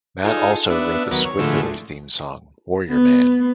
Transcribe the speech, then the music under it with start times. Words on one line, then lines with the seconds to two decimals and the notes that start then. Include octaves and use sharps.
Matt also wrote the "Squidbillies" theme song, "Warrior Man".
0.24 D#4 F4 G#4 A4
0.70 B3 D4 E5
1.11 D#2 F#3 B3 A#4
1.25 C#5
1.39 A2 D3 E3 F3 G#3 A3
2.89 B3